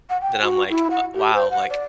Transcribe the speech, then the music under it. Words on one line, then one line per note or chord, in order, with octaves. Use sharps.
that I'm, like, uh, wow, like,
F#5
G5
F#4
E4
F#5
G4
C5
F#5
D5